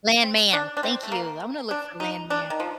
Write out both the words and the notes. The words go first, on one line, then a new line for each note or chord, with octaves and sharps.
Landman. Thank you. I'm gonna look for Landman.
C4
D4
D4
C4
A3
A#3
D4
D#4
D4
D#3
F3